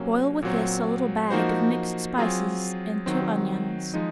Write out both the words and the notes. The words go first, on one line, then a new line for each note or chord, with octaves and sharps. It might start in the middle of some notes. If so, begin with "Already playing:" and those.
Boil with this a little bag of mixed spices and two onions.
Already playing: C3 F#3 A#3 C#4
A#2 F#3 C4
F3 A#3 D#4 F#4 C5
F#3 C4 F4 G#4
D#3 F#3 C4
F3 G#3 D#4